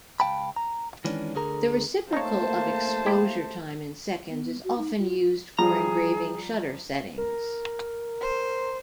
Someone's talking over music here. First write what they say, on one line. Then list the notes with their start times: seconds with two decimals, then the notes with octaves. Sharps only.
The reciprocal of exposure time in seconds is often used for engraving shutter settings.
0.20 C#2 F3 F5 G5 A5 B5
0.56 A#5
1.05 D#3 E3 G#3 C#4 D4
1.35 D2 D3 G#4 A#4 A#5
2.13 A3 A#3 D#4 C5 C#5 A5
3.06 E4 G4
4.29 B3
4.64 F#4
4.78 D#4
4.98 F4
5.19 F4
5.59 F3 G3 G#4 A#5
7.18 A#4
8.21 C5